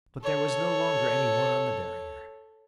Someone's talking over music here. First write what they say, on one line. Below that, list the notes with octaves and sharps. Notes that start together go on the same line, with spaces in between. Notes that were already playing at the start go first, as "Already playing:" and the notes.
But there was no longer any one on the barrier.
A4 C#5